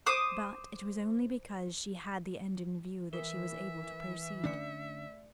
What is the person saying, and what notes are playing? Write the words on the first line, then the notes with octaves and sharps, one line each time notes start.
But it was only because she had the end in view that she was able to proceed.
C5 D6 D#6
E3 A#4 E5
D3 A3 C#4 D4 D5 C#7